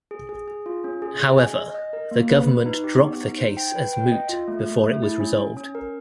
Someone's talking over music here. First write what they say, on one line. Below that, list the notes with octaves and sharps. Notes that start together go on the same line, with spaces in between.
However, the government dropped the case as moot before it was resolved.
G#4
G#4
G#4
F4
C#4
G#4
G#4
G#5
D#5
D#5
A#4
A#3
B4
B4
D#4
G4
B3
D#4
C5
G5
B4
G5
D#5
F4
A3
A3
A3
E4
C#4
C#4
C#4
A#4